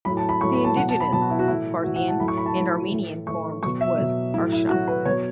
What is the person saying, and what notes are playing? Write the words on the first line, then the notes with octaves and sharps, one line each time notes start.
The indigenous Parthian and Armenian form was "Arshak".
A2 F#3 B5
A5
B5
A2 F#3 C#6
B5
A5
B2 F#3 F#5
A5
B5
B2 F#3 A5
F#4
E4
F#4
A2 E3 E4
A2 E3 F#4
F#5
A5
A2 F#3 B5
C#6
B5
A5
A2 F#3 B5
A2 E3
A2 E3 C#6
B2 F#3 C#6
E5
B2 F#3
A2 F#3 E4
E4
A2 F#3 F#4
B4
B2 F#3 C#5